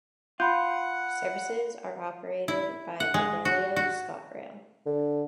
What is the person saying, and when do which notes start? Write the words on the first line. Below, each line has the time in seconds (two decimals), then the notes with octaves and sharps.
Services are operated by Abellio ScotRail.
0.40 F4 F#5 B5 G6
2.48 E4
3.00 F#5
3.14 G#3
3.45 F#4
3.76 F#4
4.86 D3